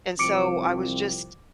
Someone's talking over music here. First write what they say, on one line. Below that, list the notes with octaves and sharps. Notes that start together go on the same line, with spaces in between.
and so I was just
C2 F3 C4 D6 C#7 D7